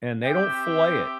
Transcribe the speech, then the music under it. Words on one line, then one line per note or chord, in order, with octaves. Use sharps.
and they don't fillet it.
C4 G4 E5 G5